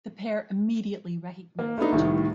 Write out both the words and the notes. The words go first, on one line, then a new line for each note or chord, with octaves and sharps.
The pair immediately recognise each other.
A#3
A3 B3 D4 D#4
C2 A2 D#3